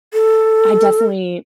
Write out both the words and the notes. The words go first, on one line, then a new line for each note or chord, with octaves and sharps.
I definitely,
A4